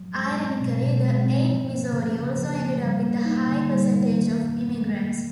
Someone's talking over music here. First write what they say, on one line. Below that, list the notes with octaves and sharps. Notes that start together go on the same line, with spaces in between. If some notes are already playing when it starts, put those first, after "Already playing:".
Ironically, the Eighth Missouri also ended up with a high percentage of immigrants.
Already playing: F#3
G#3
C4
B2
B2
G#3
C4
F3
A#3
C#3
C#3
F3
A#3
G3
A#3
D#4
D3
G3
A#3
D#3